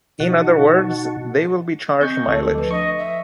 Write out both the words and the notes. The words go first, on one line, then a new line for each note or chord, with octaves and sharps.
In other words, they will be charged mileage.
B2 D#4 F#4 F#5 A5 C#6
C4 D#5 C#6 G6
D2 A4
F3 B4
D4 D#5 C#6
E5